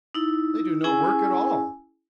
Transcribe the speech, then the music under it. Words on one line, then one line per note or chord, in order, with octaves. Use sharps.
They do no work at all.
D#4 E4
C#4 E4 G#4 G#5